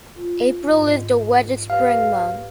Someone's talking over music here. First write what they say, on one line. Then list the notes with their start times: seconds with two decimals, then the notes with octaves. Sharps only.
April is the wettest spring month.
0.16 F4
0.72 G#2 D#5
1.70 G4 B4 C#5 F5